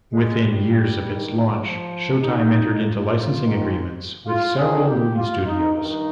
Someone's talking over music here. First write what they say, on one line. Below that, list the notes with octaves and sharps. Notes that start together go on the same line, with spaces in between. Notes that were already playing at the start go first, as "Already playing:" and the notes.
Within years of its launch, Showtime entered into licensing agreements with several movie studios.
G#3
G3
G2 D#3
F3
G#2 D#3 D#4
F4
G#2 D#3
F4
F2 C3 D#3 G#4
G4
F4
D#4
G2 D#3 D#4